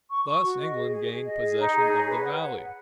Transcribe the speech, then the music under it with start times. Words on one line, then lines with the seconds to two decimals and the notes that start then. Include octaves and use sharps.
Thus England gained possession of the valley.
0.09 C#6
0.26 C#6
0.43 F#4
0.59 D#5
0.76 G#4
0.91 G#4
1.08 G#4
1.25 D#5
1.41 G#4
1.58 D#4
1.75 G#4
1.91 C#5
2.08 B4
2.24 F#5
2.42 F#5
2.58 B4